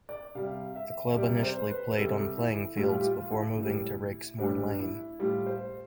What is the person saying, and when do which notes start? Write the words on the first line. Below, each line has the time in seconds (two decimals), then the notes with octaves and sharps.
The club initially played on playing fields before moving to Rakesmoor Lane.
0.09 D5
0.35 C3 G3 F5
0.75 E5
1.16 C3 G3 D5
1.43 C5
1.70 B4
1.97 C3 G3 A4
2.37 E4
2.77 A2 G3 F4
2.98 G4
3.04 F4
3.31 E4
3.58 A2 G3
4.38 A2 G3 D4
4.71 D4
4.79 E4
5.19 A2 G3 F4
5.46 C5